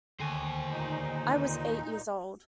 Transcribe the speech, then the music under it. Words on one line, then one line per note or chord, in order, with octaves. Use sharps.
I was eight years old.
D#2 D3 C5 G#5
A#2 D#4